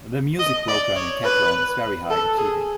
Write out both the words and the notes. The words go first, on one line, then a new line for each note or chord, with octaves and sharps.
The music program in Kedron is very high achieving.
D#5
D5
C#5
B4
A4
G#4